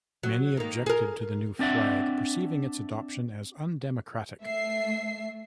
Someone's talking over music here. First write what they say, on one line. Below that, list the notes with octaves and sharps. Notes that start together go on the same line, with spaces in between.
Many objected to the new flag, perceiving its adoption as undemocratic.
F#3
D#3 A#3
G#4 A#4
C4 D4 D5 E5 F#5
A3 E5 C7